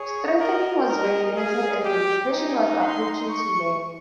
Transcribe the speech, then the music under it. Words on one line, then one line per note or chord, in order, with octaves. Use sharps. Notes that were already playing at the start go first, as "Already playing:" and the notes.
Strengthening was very limited as the depression was approaching to land.
Already playing: G#4 C#5
A#4 D#5
A#4 D#5
G#4 F5
G4 G5
D#4 G#5
C6
C#6